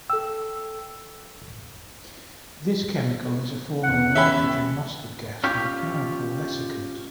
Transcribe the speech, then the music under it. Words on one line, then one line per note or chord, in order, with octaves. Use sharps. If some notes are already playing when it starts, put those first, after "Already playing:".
This chemical is a form of nitrogen mustard gas and a powerful vesicant.
A4 G5 E6
E2 F#5
C#4 G4 E5 B5
C#4 F4 G4